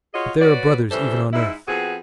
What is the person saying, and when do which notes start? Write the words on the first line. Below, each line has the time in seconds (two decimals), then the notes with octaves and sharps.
But there are brothers even on earth....
0.14 F4 F#4 G#4 C#5 D#5
0.41 F#4 B4 C#5 D5
0.91 C#3 E3 G3 A4 C5
1.33 G#2 D#4 E4
1.68 F2 B3 C4 F#4 G#4